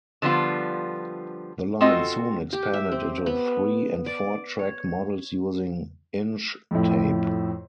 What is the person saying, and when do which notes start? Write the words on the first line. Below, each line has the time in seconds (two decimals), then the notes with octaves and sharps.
The line soon expanded into three- and four-track models using -inch tape.
0.22 D3 F3 G3 B3 F4
1.81 C4 F4 F#4 A4 D#5
2.53 G4
2.73 E5
2.91 C4
3.26 B3
4.06 D5
4.59 C#5
6.71 F2 A2